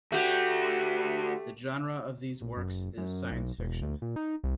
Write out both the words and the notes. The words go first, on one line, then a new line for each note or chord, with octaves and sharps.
The genre of these works is science fiction.
D2 A3 F#4 G4
A#1
F#1
F#2
B1
E1
D2
A#2
D#4
C2